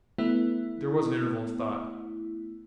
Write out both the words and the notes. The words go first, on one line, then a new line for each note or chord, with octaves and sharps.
There was an interval of thought.
A3 B3 E4